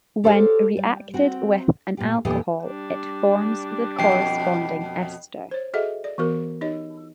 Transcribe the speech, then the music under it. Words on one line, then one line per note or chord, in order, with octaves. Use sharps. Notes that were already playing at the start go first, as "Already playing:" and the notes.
When reacted with an alcohol, it forms the corresponding ester.
G4 A4 C5 C#5 E5 F5
G3
C4 F#4
A#2 F4 G4
E2 A#2 D3 A3 G4 D#5
G3 D4
F2 B2 G5 C7
C5 C#5
F#4 G#4 A4 D#5 E5 F#5
D5
E3 B3 F#4 A#4
D#4 G4 C#5 D#5